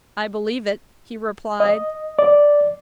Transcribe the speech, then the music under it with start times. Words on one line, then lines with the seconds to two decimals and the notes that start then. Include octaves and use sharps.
"I believe it," he replied.
1.60 D#5
2.19 D5